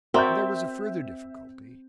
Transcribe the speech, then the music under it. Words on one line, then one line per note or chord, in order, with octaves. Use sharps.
And there was a further difficulty.
C4 F#4 A#4 D5 E5 G6